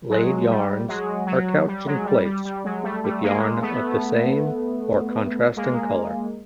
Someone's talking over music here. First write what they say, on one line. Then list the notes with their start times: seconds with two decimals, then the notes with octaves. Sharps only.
Laid yarns are couched in place with yarn of the same or contrasting colour.
0.10 F#3 G#3
0.49 G3
0.88 F#3 G#3
1.27 F#3
1.67 G3
1.86 F#3 G#3
2.05 G3
2.25 G3
2.45 G3
2.64 F#3 G#3
2.83 G3 A3
3.04 G3 A3
3.23 G#3 A#3
3.61 A3 B3
5.57 G#3 A#3